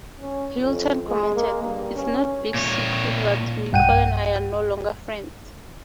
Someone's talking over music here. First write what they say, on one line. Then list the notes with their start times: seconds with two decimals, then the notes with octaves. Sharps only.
Hilton commented: It's no big secret that Nicole and I are no longer friends.
0.19 C#4
0.56 F2
1.07 G#3
1.35 A#3
1.64 G2
1.96 C#4
2.54 A#2 C#5
3.72 B1 G2 F#5 G5 D#7